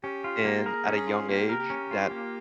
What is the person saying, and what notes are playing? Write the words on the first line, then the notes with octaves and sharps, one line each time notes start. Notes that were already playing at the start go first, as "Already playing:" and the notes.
And at a young age, that
C#4 G4
F4
A#3
G#4 A#4
C#4
G#4
F4
A#3 G4
A#4
G4
C#4
F4
A#3